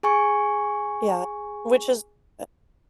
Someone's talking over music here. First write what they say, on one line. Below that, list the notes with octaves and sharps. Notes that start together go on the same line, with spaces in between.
Yeah. Which is eh
G#4 G#5 C#6